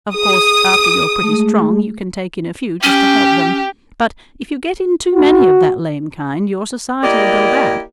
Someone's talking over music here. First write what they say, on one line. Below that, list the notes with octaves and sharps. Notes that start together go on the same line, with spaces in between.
Of course after you're pretty strong you can take in a few just to help them; but, if you get in too many of that lame kind, your society'll go bad.
G#4 D#6
G#3 A3 G#4
C#4 G4
F#4
A#3 E4 G4 A#4 D5 D#5